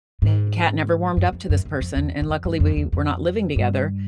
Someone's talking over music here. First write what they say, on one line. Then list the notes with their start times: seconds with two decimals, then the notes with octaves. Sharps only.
the cat never warmed up to this person, and luckily, we were not living together,
0.22 G#2
1.17 F#2
1.33 F2
1.50 F#2
1.65 F#2
1.81 F2
1.96 E2
2.21 F#2
2.29 F2
2.45 G2
2.60 F2
2.77 E2
2.92 F2
3.56 G2